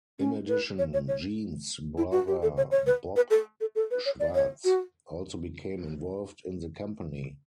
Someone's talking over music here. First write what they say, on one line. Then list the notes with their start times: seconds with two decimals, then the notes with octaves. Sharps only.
In addition, Gene's brother Bob Schwartz also became involved in the company.
0.19 C#4
0.49 B4
0.79 C#5
0.93 C#5
1.08 C#5
1.97 E4
2.11 F#4
2.27 G4
2.42 A4
2.57 C#5
2.71 C#5
2.86 B4
3.16 B4
3.30 A4
3.61 A4
3.75 A4
3.91 B4
4.06 C#5
4.20 D5
4.35 C#5
4.64 F#4